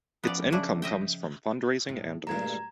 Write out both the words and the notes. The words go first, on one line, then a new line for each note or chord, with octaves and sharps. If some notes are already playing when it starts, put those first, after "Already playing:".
Its income comes from fundraising and events.
F3 B3 C#4 D5 F#5
C#3 D4 E4
D#5 E5 G5
A2
D2 G2 A#2 G3 G#3 A#5 G#6